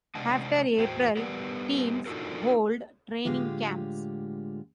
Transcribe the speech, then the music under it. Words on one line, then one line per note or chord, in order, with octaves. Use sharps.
After April, teams hold training camps.
C3 G#3 D4 D#5 F#5 A5
E2 A2 F#4 C5 G5
G3 B3 G4 A#4 B4 D5
D4 D#4 F4 F#4 A4 A#4
A2 D3 G#3 F4 G4